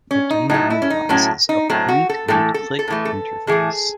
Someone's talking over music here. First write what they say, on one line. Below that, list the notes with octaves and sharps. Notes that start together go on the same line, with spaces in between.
The game utilizes a point and click interface.
C#4
D#4
A2 F#3 A3 D#4
E4
C#4
D#4
A2 F#3 A3 C#4
D#4
A2 F#3 A3 C4
F#4
A4
A2 E3 A3 A4
A4
A4
A2 E3 A3
A4
A2 E3 A3 G#4